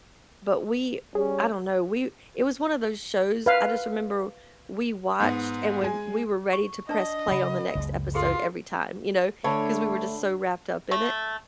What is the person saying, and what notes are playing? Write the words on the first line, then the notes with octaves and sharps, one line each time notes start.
but we I don't know, we It was one of those shows, I just remember we watched, and when we were ready to press play on the next episode every time, you know? 'Cause we were just so wrapped up in it.
G3 C#4 G#4
B4 F5
G#2 B3
G#3 G#5
C#6
D4 D5 D#5 A5
C#3 F#3 F#5 B5
F#1 C#2 G#3
F4 G#4 A4 C6
D3 A3 D4 C#5 A5 B5
A3